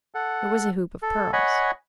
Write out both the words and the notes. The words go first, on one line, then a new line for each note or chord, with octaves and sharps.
It was a hoop of pearls.
A4 F#5
A4
C#5 D#5 F#5 G#5 B5